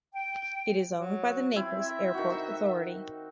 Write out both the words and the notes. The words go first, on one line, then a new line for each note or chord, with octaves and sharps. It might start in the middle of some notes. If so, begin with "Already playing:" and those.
It is owned by the Naples Airport Authority.
G5
F#3
C4 E4
E5
D#3 F#4